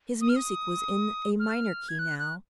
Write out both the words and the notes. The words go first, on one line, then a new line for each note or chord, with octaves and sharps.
His music was in a minor key now.
D#6
F6
D#6
F6
G#6
F#6
F#6